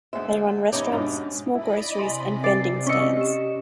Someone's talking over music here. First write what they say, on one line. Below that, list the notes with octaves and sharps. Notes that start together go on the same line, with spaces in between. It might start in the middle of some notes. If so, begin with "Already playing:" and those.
They run restaurants, small groceries and vending stands.
D2 G#3 F#4 G#4 C5 E5
E2 C#4 D#4 G4 C#5 E5 B5 D6
G#2 B2 D4 G#4 D6
E4 D5 D#5 B5
C3 G#5 C6
D5 C7
C#4 D#5 C#6 E6 B6 C#7
G4 E7